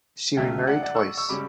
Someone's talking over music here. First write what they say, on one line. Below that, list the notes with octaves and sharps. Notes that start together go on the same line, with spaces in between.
She remarried twice.
C#2 C#3 F#3 A3 C#4 E5 G5
D5 F#5
D5 F#5
C#6 E6
C#6 E6
C#3 G3 C#4 B5 D6